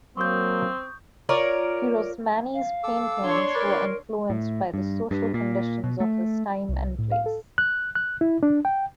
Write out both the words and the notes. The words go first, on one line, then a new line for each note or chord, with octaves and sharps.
Pirosmani's paintings were influenced by the social conditions of his time and place.
F#3 A#3 C4 C#6 D#6 G6
F4 A#4 C#5 D5
F5
A4 D6 E6
D4 C#5 C6
A#4 B4 D5
A2
G2
G2
A#2
B2
A3
C2
A2
F5
A4
F#6
F#6
E4
D4
G5